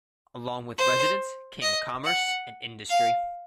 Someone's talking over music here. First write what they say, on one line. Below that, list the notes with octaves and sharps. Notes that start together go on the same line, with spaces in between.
Along with residents came commerce and industry.
C5
D#5
F#5
F5